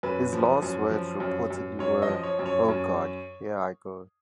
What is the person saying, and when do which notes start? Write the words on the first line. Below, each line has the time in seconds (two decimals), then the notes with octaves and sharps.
His last words reportedly were, Oh God, here I go.
0.03 F#2 B4
0.33 F3
0.62 F#2
0.91 F3
1.20 F#2
1.50 F#2
1.79 F#2 C#5
2.02 D#5
2.08 F3
2.23 C#5
2.39 F#2
2.46 C#5
2.69 F#2